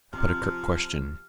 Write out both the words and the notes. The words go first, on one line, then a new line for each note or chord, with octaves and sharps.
I put a curt question.
C3 F3 F6